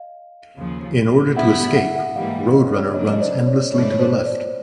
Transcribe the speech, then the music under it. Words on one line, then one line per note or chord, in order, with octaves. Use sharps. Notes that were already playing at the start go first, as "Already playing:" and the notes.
In order to escape, Road Runner runs endlessly to the left.
Already playing: D#5 F5
D#2 C#3 F3
G2 D3 G3 B3 E4 E5 F#5
E5 F#5
E5 F#5
G#2 E3 G3 A#3 D#5 F5
C#5 D#5
C#5
C#3 F#3 A#3 D4 C#5 D#5
D#5
C5 D5
C#5
G#2 E3 A3 D4 C#5
C#5
C5
C5 D5